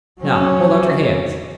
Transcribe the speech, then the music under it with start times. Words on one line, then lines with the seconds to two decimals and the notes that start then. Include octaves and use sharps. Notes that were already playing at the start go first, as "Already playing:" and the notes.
"Now hold out your hands."
0.20 F#3 C#4